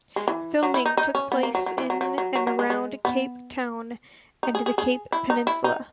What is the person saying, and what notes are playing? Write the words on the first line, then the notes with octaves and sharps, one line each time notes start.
Filming took place in and around Cape Town and the Cape Peninsula.
G#3
E3
F#3
E4
D#4
D#4
C#4
B3
A#3
F#3
F#3
E3
F#3
F#3
F#3
F#3
F#3
G#3
G#3
B3
D#4
G#4
G#4
G#4
E4
D#4
E4
D#4